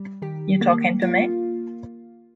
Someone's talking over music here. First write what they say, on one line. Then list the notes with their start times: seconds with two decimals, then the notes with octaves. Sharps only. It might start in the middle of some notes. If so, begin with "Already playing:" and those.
You talking to me?
Already playing: G3
0.22 D#3 G4
0.61 A#3
1.02 A#3 F4